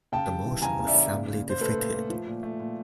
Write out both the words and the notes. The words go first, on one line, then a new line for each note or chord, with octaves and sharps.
The motion was soundly defeated.
C#3 G5 A5
G3
E3
C#3 G#5 A#5
C#3
D5 E5
C#3
A#2
A#2
A#2 C5
A3 A4 B4
A#2
A3
F3
A#2
A3
A#2